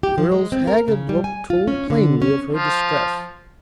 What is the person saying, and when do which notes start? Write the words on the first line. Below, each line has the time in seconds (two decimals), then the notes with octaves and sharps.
The girl's haggard look told plainly of her distress.
0.03 G4
0.18 F3
0.32 G#3
0.52 C4
0.67 A#4
0.88 C#3
1.09 G3
1.24 G#5
1.50 F4
1.68 C#4
1.90 D3
2.22 C#4
2.51 F3